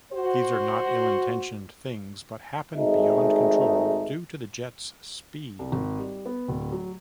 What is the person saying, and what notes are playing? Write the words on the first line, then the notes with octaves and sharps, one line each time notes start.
These are not ill-intentioned things but happen beyond control due to the jets' speed.
F#4 C5
G#1 G#3 A3 D#4
C2
G#1
G3
B3
D1
F#3